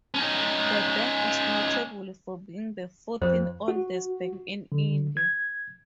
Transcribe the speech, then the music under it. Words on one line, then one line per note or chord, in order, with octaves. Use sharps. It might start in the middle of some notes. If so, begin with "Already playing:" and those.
The bank is notable for being the fourteenth oldest bank in India.
C#4 D#4
F2 C5
F#4
D3
G#6